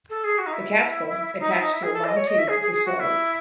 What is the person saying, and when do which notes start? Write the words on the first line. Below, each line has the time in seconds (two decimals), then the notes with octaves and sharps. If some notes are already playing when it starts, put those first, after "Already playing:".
The capsule, attached to a long tube, is swallowed.
0.10 A4
0.24 G#4
0.38 F#4
0.46 D#4
0.53 E4
1.40 D#4
1.51 E4
1.61 D#4
1.73 E4
1.83 G#4
1.94 A4
2.05 D#5
2.16 C#5
2.27 D#5
2.38 E5
2.48 G#4
2.59 G#4
2.71 G#4
2.85 F#4
3.00 E4